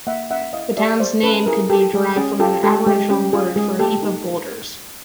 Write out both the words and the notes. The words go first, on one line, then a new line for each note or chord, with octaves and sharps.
The town's name could be derived from an Aboriginal word for "heap of boulders".
A#3 E5 F#5
C#4 E5 F#5
E4 D#5 F5
G4 D5 E5
A#3 C5 D5
C#4 A4 B4
E4 G#4 A#4
G4 A4
G#3 G#4
C#4 G#4
F4 G4 A4
G#3 G4 A4
G#3 G4
C#4 G4
F4 G#4
G#3 G#4
A#3 G4 A4
D#4